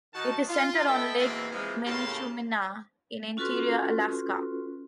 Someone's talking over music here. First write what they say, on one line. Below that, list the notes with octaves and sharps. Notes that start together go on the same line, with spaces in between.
It is centered on Lake Minchumina in Interior Alaska.
D#3 D#4 F#4 A5
F4
A4 B4 D#5 E5 G5
G#2 B2 E3 A#3 C4
C3 E3 F3 G#3
A2 C#3 A#3 G4 A5 C6
C#4 F4 F#4 A4 B4 C6